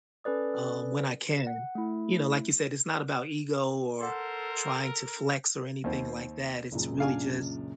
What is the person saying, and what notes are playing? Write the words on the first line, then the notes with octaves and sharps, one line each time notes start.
um, when I can. You know, like you said, it's not about ego, or trying to flex, or anything like that, it's really just
C#4 A4 B4 D5 D#6
F#5
A3 E4
A4 A#4 C5 F#5 C6
D#2 C4
C#2 F#2 A#2
D4 F5 G#5